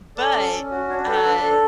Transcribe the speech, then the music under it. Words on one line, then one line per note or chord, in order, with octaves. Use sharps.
But, uh,
A4 D5
C#4
C#4
F#4
D4 C#5
A4 B4
D4 B4
A4